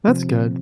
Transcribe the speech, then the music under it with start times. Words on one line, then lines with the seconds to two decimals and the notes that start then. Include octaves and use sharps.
That's good,
0.08 C3 F3 C4